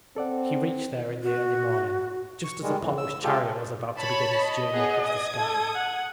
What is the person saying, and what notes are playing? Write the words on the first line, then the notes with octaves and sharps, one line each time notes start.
He reached there in the early morning, just as Apollo's chariot was about to begin its journey across the sky.
C4 A4 D5 F#5
F#4
C#6
D#3 G3 G#3
F2 A2 E3
E6
G#3 F4 G4 A4
C#5 A5 B5
D#5
B3 G#4
D#6 G#6
A4
F#5